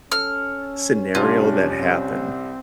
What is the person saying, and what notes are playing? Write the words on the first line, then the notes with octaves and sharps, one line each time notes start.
scenario that happened.
C#4 A4 F6
C2 G3 D4 F4
C4